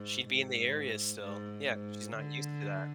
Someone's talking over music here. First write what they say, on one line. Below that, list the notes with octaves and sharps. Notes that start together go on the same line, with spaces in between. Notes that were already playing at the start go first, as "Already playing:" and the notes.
She'd be in the area still, yeah. She's not used to that.
Already playing: G#2
G#2
G#2
G#2
D3